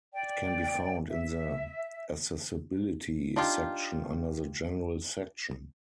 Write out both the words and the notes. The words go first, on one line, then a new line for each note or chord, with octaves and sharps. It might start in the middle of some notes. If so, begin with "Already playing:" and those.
It can be found in the Accessibility section under the General section.
D5 G5
E5
D4 D#4 F4 G4